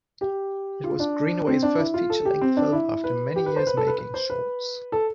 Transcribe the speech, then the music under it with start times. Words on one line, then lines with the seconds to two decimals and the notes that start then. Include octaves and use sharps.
It was Greenaway's first feature-length film after many years making shorts.
0.21 G4
0.84 F4
1.00 D4
1.47 C4
1.63 D4
1.78 E4
1.94 F4
2.10 A4
2.25 G4
2.41 C4
2.57 D4
2.72 E4
3.04 B4
3.36 G4
3.46 B4
3.56 C5
3.67 B4
3.77 A4
3.87 B4
3.98 B4
4.14 C5
4.30 B4
4.92 A4